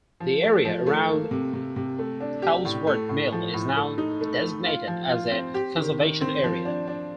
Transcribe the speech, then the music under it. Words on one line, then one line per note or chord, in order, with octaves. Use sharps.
The area around Houldsworth mill is now designated as a conservation area.
F3
A3
F3
A3
A#3
C3
C3
C3
A3
D4
G4
A2
A3
A2
F3
A2
A3
D#4
A3
A3
F4
F3
F4
C4
G4
D#3
D#3
C4
F3
D4
D4